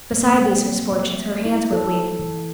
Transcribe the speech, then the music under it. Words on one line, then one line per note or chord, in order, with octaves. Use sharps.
Beside these misfortunes her hands were bleeding.
A#3
C4
A3
E4
A4
E3